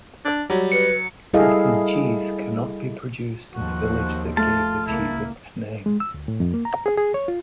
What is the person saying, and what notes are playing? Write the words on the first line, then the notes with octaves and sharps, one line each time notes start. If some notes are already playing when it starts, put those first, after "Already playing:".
Stilton cheese cannot be produced in the village that gave the cheese its name.
D4
F#3 G3
B4 C#7
G3 E4 G#4 A4 D#5 F5
D#2 F3 F#4
A3 F4 A5
C#2 A#3 E4
G#3
E6
D2
A2
F2
A#3
A#5
G#4
G#4
C#5
F4